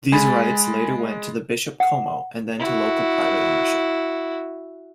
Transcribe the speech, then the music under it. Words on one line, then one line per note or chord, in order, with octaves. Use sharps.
These rights later went to the Bishop Como and then to local private ownership.
G#3 G#5 B5 A6
F#5
E4 F#4